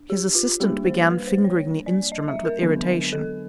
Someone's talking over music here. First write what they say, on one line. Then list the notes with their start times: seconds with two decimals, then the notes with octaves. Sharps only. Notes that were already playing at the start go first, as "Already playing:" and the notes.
His assistant began fingering the instrument with irritation.
Already playing: D4
0.10 G4
0.35 F4
0.60 G3 A#3 D4 G4
0.85 C5
1.11 B4
1.27 C5
1.44 C#5
1.86 D5
2.12 D#5
2.28 E5
2.45 A#4
2.62 D3 F#3 B3 D4
3.13 A4